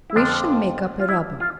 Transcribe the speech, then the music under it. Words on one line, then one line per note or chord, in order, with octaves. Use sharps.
We shall make up a rubber.
E4
F2 D3 F3 D4
F4
E4
F4